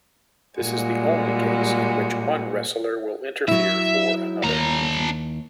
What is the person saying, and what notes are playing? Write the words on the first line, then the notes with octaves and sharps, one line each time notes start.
This is the only case in which one wrestler will interfere for another.
A#2 G3 G#3 F#4
F#3 E4 E5
D#2 D4 A#5